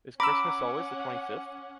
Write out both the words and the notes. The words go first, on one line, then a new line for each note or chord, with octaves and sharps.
Is Christmas always the twenty fifth?
C#4 F#5 A#5 B5 D6 E6